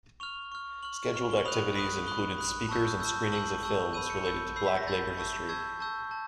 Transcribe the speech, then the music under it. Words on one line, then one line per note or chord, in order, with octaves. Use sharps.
Scheduled activities included speakers and screenings of films related to Black labor history.
C#6 F6 F7
C#6 F6
C#6 F6 F#7
C#6 F6
G7
F#7
B5 D#6 F#6 F7
B5 D#6 F#6
B5 D#6 F#6 G7
B5 D#6 F#6
A5 C#6 E6 G6
A5 C#6 E6 G6
A5 C#6 E6 G6 F#7
A5 C#6 E6 G6
B5 E6 G6 D#7
C#7
B5 E6 G6
B5 E6 G6 C7
B6
A#6
B5 E6 G6 A6
A5 C#6 E6 G6
A5 C#6 E6 G6 G#6
A5 C#6 E6 G6
A5